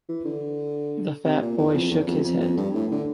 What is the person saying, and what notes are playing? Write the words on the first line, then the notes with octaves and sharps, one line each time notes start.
The fat boy shook his head.
E3
D3
C3
A#2
E2
F2
E2
F2
F2
F2
G2
A2
D3